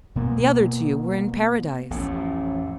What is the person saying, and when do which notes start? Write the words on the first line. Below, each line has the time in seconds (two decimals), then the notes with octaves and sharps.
The other two were in Paradise.
0.15 B2 A#3 B3
1.90 A1 F2 A2